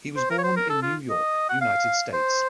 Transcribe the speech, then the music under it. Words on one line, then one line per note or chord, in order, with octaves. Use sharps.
He was born in New York, United States.
C5
A#4
C#5
C5
A#4
A4
F4
D#5
F#5
F5
C5